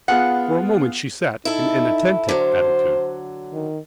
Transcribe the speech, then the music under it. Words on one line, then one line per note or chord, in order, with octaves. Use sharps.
For a moment she sat in an attentive attitude.
B3 F4 G#4 F#5
D#4 E4 A4
D3 F#3 C5
D#3